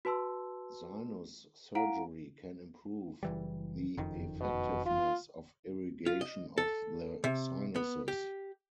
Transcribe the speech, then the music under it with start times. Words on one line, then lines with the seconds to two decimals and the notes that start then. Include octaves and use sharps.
Sinus surgery can improve the effectiveness of irrigation of the sinuses.
0.05 F#4 B4 A5 C6 E6
1.75 E4 F5 F#5 A#5 D7
3.23 F#1 E3 G3
3.97 F#1 F2 D#3
4.41 B2
4.86 F4
6.06 F4
6.21 D#5
6.58 A4
7.24 C3
7.76 B3
8.08 G4